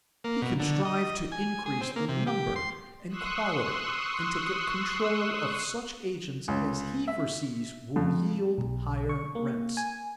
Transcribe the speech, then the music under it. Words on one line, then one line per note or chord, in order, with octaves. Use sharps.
He can strive to increase the number and quality and to get control of such agents as he foresees will yield higher rents.
A#3
B2
D3
D#5
G#5
G#4
C4
A#3
C3
G4
C6
C6 C#6 D#6 E6 F#6
C#2
E5
F2
B1
C#6
A#3
G#5